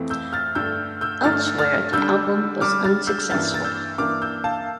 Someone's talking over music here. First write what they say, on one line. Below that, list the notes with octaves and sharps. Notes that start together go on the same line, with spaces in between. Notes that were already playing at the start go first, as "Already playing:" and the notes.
Elsewhere, the album was unsuccessful.
Already playing: F2 E3 A3 C4
E6 G6
F6 A6
G2 D3 A3 E6 G6
E6 G6
G2 D3 A3 F6 A6
F6 A6
D3 G3 D4 E6 G6
D3 G3 D4 D6 F6
F6 A6
E6 G6
G2 E3 A#3 D4 F6 A6
A6
E6 G6
G2 E3 A#3 D4 D6 F6
E6 G6
F5 A5